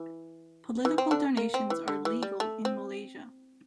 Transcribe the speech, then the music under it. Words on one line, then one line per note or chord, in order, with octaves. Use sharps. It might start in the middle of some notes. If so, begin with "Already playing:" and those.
Political donations are legal in Malaysia.
Already playing: E3
E3
C4
D3 D4
A#3
C4
E3
D3
E3
G3
A3
C4